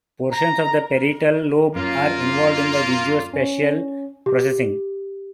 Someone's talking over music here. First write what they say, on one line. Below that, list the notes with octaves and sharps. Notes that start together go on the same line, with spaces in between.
Portions of the parietal lobe are involved with visuospatial processing.
A#5
F#2 A#3 F4
C#4
G4